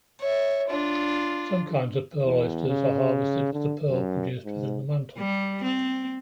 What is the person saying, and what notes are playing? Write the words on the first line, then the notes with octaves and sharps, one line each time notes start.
Some kinds of pearl oysters are harvested for the pearl produced within the mantle.
C#5 E5
D4 F4
E2
C#3
D3
F#2
G#2
G3
C4